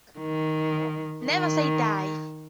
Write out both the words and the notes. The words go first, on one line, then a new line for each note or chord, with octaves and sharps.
Never say die.
D#3
D#3